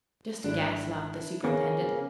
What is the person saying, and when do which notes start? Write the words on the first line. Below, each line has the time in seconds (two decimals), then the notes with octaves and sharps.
"Just a guess," laughed the superintendent.
0.44 G#1 D4 E4
1.44 C#3 A#3 B3